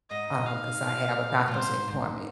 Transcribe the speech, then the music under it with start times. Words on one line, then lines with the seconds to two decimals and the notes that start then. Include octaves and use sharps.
um, 'cause I have a doctor's appointment."
0.11 G#2 D#5
0.46 F5
0.82 A#2
1.48 A#2
1.51 G#2 C5
1.88 G#2